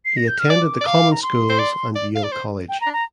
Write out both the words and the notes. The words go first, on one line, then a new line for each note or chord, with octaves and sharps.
He attended the common schools and Yale College.
C7
A#6
G6
F6
D5 D6
D5
F5
A#5
C6
C5
D5
D5
F5
D5
C5
G5
A#5
D4
A#5